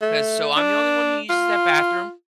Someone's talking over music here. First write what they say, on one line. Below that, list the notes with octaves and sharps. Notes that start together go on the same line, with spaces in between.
'cause so I'm the only one who uses that bathroom,
A3
D4
F4